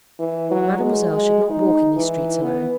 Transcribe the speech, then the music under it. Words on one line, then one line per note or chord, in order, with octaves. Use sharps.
Mademoiselle should not walk in these streets alone.
E3
F#3
G#3
G#3
D#4
E3
B3